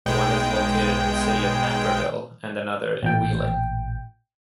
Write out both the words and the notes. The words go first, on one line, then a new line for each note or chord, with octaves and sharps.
One is located in the city of Naperville and another in Wheeling.
B1 G#3 G5
A1 A#2 G5